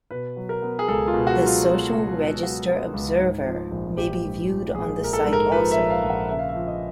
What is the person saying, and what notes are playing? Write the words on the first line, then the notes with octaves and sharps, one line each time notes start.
The "Social Register Observer" may be viewed on the site also.
B2 B4
F#3
A#4
B3
G#4
C#2 A4
F4
B2
F#4
F#3
F4
B3 F4
C#2
B2
F#3 F#4
B3
C#2
G#2
F3
A#1
A#1 G4
G#2
F3
A#1 G#4
A#1 A#4
A4
G#2
A#4
F3 B4
E5
A#1
F5
A#1
F#5
C#3 E5
F5
E5
F3
D#5